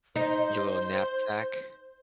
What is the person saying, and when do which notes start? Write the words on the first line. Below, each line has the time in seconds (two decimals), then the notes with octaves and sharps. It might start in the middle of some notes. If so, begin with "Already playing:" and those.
I your little knapsack.
0.16 D#4 C5